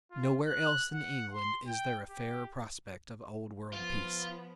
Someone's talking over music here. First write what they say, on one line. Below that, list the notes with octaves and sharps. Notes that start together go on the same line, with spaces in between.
Nowhere else in England is there a fairer prospect of old-world peace.
F4
F#6
F#5
C6
G5
G4
F3 B3 F4